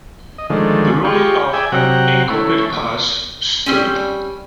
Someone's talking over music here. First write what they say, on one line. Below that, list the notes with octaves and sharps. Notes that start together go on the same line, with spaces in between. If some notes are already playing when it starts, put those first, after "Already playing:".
The ruling of an incomplete pass stood.
D#5
D3 D#3 F3 G#3 A3
F4 G4 G#4 C#6
G#4 D5 E5 G5 G#5
C3 F#3 F#5 G5 A#5
A3 C#4 E4
G3 C4 C#4